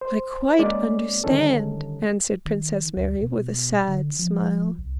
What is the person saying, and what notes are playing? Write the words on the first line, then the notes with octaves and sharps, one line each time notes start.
"I quite understand," answered Princess Mary, with a sad smile.
C5
G#3 A#3 C#4 D5
D3 D#3 G3 C#4 A4
D#3
D2
B2
D3
F3
C2